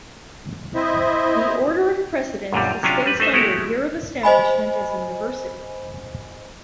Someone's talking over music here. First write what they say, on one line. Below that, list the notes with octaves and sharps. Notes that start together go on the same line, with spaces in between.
The order of precedence is based on their year of establishment as a university.
C4 E4 C5 D#5 E5
F#2 A#2 D3 G3
C3 F#3 C#4 D4 F4
G3 B4
A3 D#4 C5 E5
G#3 A3 E4 F#4 G4
C5 D#5 G#5 B5